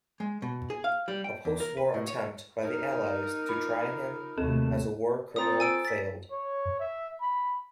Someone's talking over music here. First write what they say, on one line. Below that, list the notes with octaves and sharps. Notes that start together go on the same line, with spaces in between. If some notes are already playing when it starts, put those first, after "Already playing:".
A post-war attempt by the Allies to try him as a war criminal failed.
G#3
B2
G#4
F5
G3
G5
E2
A#4
B4
A2
C#5
D#4 A#4
F4 B5
D#2 C3 A3 C4 A4 E7
C4 F4 A4 A#5 D#6
G#5 E6 D7
A6 B6
C#5
E5
B5